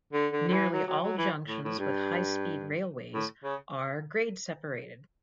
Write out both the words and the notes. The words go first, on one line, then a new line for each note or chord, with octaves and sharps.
Nearly all junctions with high-speed railways are grade-separated.
D3
D3
D3
E3
F#3
F#3
F#3
E3
A2
A2
G2
A2
C#3